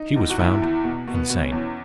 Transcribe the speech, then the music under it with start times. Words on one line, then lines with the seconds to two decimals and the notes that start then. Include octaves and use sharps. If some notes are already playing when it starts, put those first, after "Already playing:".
She was found insane.
Already playing: D#4
0.16 E2
0.30 F#4
0.39 E2 E4
0.62 E2
0.84 B2
1.07 B2
1.14 B3
1.30 B2
1.45 C#4
1.52 E2